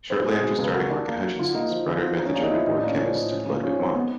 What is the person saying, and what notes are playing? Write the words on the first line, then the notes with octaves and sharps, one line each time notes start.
Shortly after starting work at Hutchinson's, Brunner met the German-born chemist Ludwig Mond.
C4 B4
G#3
B2
C#2 B4
F#4 A#4
D4
A#3
F#3
D3 F4
A#3 D#4
F3
D3
F3
D#4
C#4
A#3 D4
D#4
F3 E4
A2 D#4
D4
A#3 C#4
F3 D4
A2
C#4
A#3
F3 C#4
G#2 C4
B3